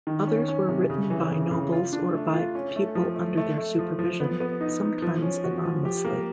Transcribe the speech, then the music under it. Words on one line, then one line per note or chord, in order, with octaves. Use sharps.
Others were written by nobles or by people under their supervision, sometimes anonymously.
D#3
C#4
C#4
C3
C#3
E3
C#3
C#3
F4
D4
A3
F4
C#4
A3
F3
A3
A3
A3
F3
F3
B3
B3
D#4
D#4
F3
C#4
F#4
F3
G4
A#3